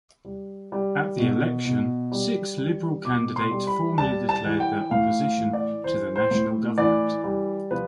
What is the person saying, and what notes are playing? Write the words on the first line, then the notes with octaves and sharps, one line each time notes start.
At the election, six Liberal candidates formally declared their opposition to the National Government.
G3
G3
B2
B2
G3
G3
B2 D6
C6
G3
B5
G3 A5
A5
E3
G5
A2 F5
F5
E3
D5
E3 C5
C5
A2
E3 D5
G3
F3 B4